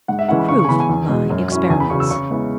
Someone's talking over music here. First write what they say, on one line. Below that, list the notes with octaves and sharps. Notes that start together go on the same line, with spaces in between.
The PROOF by Experiments.
G#2 F#5
E5
E3 G#3 C#4 E4 F#5
B5
C#3 C#6
C#6
G#5
E3 B3 B5
G#5
E2
B2 G#3
F#2
F#3 C#4 E4
E2 G#5
B5
C#3 F#3 C#6
E6
C#3 C#6
G#3 B3 E4